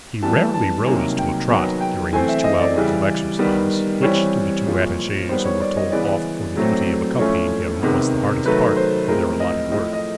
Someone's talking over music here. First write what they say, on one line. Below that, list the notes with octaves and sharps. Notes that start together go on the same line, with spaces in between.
He rarely rose to a trot during his two hours of exercise, which to the two attache's who were told off for the duty of accompanying him was the hardest part of their allotted work.
E3 G3 B3 A5
A5
C3 D#3 F#3 A#3 G#5
G5
D#3 F#3 B3 G#5
G5
E3 A3 C4 G#5
E5
D#5
D5
C#3 E3 G3
D#3 G3 B3
E3 G3 C4 C#5
A#2 F3 G#3
D#3 G3 B3 C5
C#5
D5
D#5
C#3 E3 G#3 B3 D5
A2 F#3 A3 C4
A2 F3 A3 C#4 C#5
C3 D#3 G#3 B3
D#3 F#3 A3 B4
C5
A2 F3 G#3 C4 A#4
D#5
A2 F3 A3 D#5
D#5